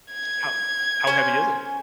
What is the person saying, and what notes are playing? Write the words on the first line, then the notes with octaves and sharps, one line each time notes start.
How how heavy is it?
G#6
C#4 C5 G#5